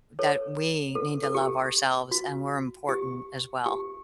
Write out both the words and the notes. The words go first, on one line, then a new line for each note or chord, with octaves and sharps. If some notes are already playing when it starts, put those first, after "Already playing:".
that we need to love ourselves and we're important as well.
A4 C#5
A4
A4
G4
F#4
G4
G4